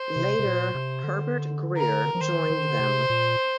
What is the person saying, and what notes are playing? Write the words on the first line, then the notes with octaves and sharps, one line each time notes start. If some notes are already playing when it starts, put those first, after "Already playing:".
Later Herbert Grier joined them.
Already playing: C5
C3
C3
A#2
C3
D3
A#4
F3
D#3 C5
D#3
D3
C3
A#2